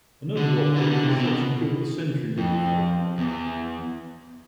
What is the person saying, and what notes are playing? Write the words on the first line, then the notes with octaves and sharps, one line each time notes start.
Another operator shot and killed the sentry that had fired.
D3
E3
D3
C3
B2
F2
E2